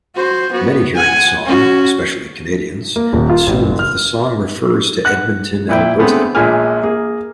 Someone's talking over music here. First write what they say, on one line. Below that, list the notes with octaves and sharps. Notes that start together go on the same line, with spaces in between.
Many hearing the song, especially Canadians, assume that the song refers to Edmonton, Alberta.
F#4 C5
B3 F#4
F#5 G#5
C#4 F#4
A#3
D#1
F4
A1
F#1
F6
F#5 F#6
A#2 E4 G5
D3 G#3 A3 B3 C4
A#1 A#2 E3 G#3 G#5 F6
A#3 G#4